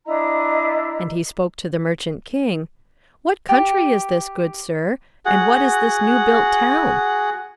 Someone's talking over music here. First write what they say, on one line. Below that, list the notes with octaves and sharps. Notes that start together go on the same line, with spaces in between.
And he spoke to the merchant king: "What country is this, good sir; and what is this new-built town?"
D4 E4 D#5 A#5
G4
F#4 G#4 F#5